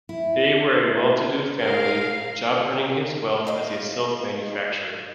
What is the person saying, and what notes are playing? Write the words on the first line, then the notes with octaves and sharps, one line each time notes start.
They were a well-to-do family, Job earning his wealth as a silk manufacturer.
E4
A#4 F5
D#5 F5